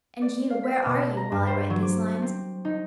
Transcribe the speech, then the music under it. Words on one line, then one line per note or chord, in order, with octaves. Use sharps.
And you, where are you, while I write these lines?
D5
F5
B6
B2
A#5
G2
C5
F#3
D6
C4
D#4